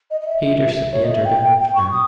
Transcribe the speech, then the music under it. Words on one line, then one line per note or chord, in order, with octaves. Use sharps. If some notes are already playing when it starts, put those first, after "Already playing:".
Peterson entered and looked around.
D#5
D#5
E5
E5
E5
E5
C#5
D#5
E5
G5
G5
C#6
D#6